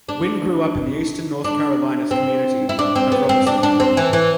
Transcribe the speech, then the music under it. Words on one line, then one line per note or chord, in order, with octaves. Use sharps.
Wynn grew up in the Eastern North Carolina community of Robersonville.
D4
D4
C4
E4
D4
C4
B3
C4
D4
D4
C4
E3
E3